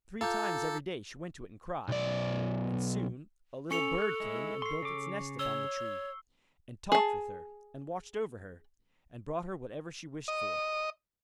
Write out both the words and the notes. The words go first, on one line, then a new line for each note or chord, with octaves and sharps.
Three times every day she went to it and cried; and soon a little bird came and built its nest upon the tree, and talked with her, and watched over her, and brought her whatever she wished for.
F4 A4 A#5 D6 G6
B1 D5
C#4 A4 C#6 C#7 F7
F6 F#6
G#3 E4
C6 C#6 C7
C#3 D6
C#5 E6 G7
G#4 A5
D#5